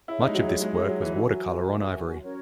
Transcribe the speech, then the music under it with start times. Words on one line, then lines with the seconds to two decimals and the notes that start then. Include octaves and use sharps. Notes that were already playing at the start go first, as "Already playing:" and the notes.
Much of this work was watercolor on ivory.
0.07 E4 G#4 C#5 E5
0.21 D#4
0.29 G#3
0.35 F#3
0.48 F#3
0.62 G#3
0.75 G#3
0.89 F#3
1.02 E3
1.15 F#3 F#4 A#4 E5 G#5
2.22 C#4 F#4 A#4 C#5